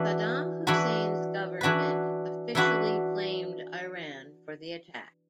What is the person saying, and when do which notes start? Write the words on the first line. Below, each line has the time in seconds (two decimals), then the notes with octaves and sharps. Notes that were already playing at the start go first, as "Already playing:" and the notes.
Saddam Hussein's government officially blamed Iran for the attack.
Already playing: E3 D4 F#4 B4
0.67 E3 D4 F#4 B4
1.61 E3 D4 F#4 B4
2.55 E3 D4 F#4 B4